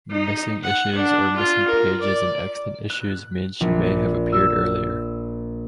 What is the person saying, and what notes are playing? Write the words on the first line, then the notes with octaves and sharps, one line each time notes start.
Missing issues or missing pages in extant issues mean she may have appeared earlier.
D#4
F#5
D4
F4
A#4
D5
F#6
A#1
E6